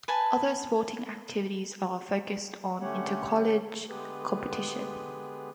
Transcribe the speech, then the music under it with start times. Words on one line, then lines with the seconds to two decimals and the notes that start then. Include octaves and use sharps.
Other sporting activities are focused on inter-college competition.
0.08 B4 G#5 A5
2.81 D3 A3 C#4 G4 C#5 F#5
3.88 D3 G#3 B3 G4 G#4 B4